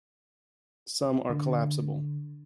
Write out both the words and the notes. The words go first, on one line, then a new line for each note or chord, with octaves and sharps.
Some are collapsible.
D3